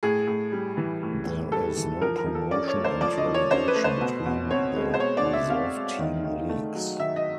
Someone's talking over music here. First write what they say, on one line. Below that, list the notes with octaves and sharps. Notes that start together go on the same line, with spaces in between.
There is no promotion and relegation between the reserve team leagues.
A2 G#4
A2
G3
E3
A2
A2
G3 A4
E3
F3 A#4
A#4
F3
A4
C#4 D5
C#5
A3
C5
F3 D5
D#5
F3
C#5
C#4 C5
B4
A3
C5
B2
B2
C4 C#5
G#3
C5
B2 C#5
D5
B2
E5
C4 F5
G#3
D#3
D#3
A3
F#3
D#3 E5
D#5